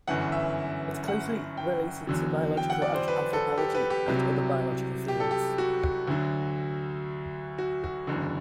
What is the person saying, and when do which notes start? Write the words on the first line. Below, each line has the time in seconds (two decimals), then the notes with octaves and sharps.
It is closely related to biological anthropology and other biological fields.
0.08 G1 F#2 E3 F#5
0.32 E5
1.08 F#5
1.57 G5
2.07 E2 D3 F#3
2.57 G5
2.70 F#5
2.82 D5
2.95 C5
3.08 B4
3.33 A4
3.58 G4
3.74 B4
3.90 G4
4.07 C2 C3 F#3
5.08 G4
5.20 A4
5.31 G4
5.58 F#4
6.08 D2 D3 F#3
7.58 F#4
7.84 F#4
8.07 F#1 E2 D3